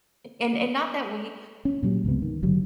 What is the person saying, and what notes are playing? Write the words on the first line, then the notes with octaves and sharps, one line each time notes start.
and and not that we
C#4
A#2 F#3 G3
C#2 G#2 C3 B3
D#3
F#1 D3 F#3 G3